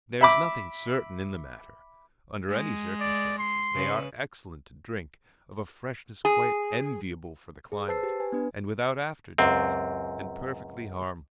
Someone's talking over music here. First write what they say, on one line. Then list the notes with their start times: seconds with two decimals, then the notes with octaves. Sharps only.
There is nothing certain in the matter. Under any circumstances, they are excellent to drink, of a freshness quite enviable for the climate, and without after-taste, and perfectly harmless.
0.21 E5 B5 D6
2.49 G#3
3.00 D5
3.39 C6
3.74 C#3 B4
6.25 G#4
7.72 G#4
7.88 B4 C5 A5 E6 A6 C7
8.03 G4
8.20 B4 G#5
8.32 B3 D4 B4
9.38 C#2 F#2 C4